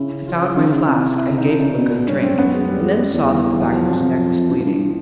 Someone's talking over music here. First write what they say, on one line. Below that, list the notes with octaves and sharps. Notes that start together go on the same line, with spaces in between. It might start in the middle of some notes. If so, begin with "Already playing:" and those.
I found my flask, and gave him a good drink, and then saw that the back of his neck was bleeding.
Already playing: C#3 E4
F4
E4
D#3
C#3
C3 E4
E4
E4
D#4
C#3 D4
C3
C#3
B2
G2 C#4
F#2 C4
F#2 B3
G#3
G3
G#3
G3
E2
F#3
F3
F2 F3
F#2 E3
G2